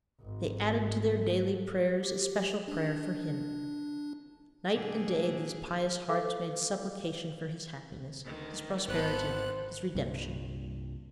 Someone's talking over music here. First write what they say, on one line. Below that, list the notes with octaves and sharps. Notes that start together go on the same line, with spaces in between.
They added to their daily prayers a special prayer for him; night and day these pious hearts made supplication for his happiness, his prosperity, his redemption.
G#1
G4
D4
A#2 D3 G#4
A4 F5 D6
D2 D#3
G#1 B3 A4 C5 F#6
C2 G2 A#2